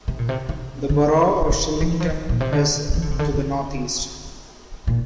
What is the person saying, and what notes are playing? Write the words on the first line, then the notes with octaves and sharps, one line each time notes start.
The borough of Shillington is to the northeast.
C3
A#2
C3
C3
D3
F3
E3
F3
A#2
C3
D3
E3
D3
C3
D3
D3
A#2